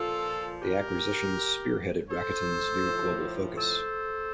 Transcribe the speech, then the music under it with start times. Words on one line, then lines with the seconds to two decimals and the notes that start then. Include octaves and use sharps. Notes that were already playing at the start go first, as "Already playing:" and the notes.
The acquisition spearheaded Rakuten's new global focus.
Already playing: A#2 F3 F4 A4
0.62 G4 A#4
2.09 A4 C5
2.84 A2 F3
3.57 A4 C5